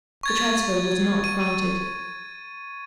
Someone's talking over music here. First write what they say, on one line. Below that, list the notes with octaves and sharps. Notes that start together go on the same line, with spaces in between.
The transfer was not granted.
C#6 G#6 A6
D#7